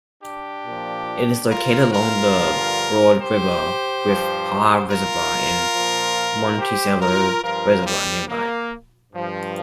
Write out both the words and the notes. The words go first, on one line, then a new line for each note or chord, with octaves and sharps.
It is located along the Broad River, with Parr Reservoir and Monticello Reservoir nearby.
D4 G4
A#2 F3
F4 A#4
F4 A#4
G2 D3 F3
G4 C5
G2 F3
F4 A#4
A#2 F3
G4 C5
F4 A#4
G2 F3 F4 A#4
G3
A#3
G2 F3